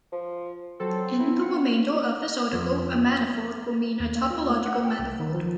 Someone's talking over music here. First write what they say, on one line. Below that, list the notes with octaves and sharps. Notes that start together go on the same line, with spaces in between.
In the remainder of this article a "manifold" will mean a topological manifold.
F3
F#3 C4 A4
E4
F#5
F2
D#2
A#3
F4
A3
F#5
G5
C2
D#3
F3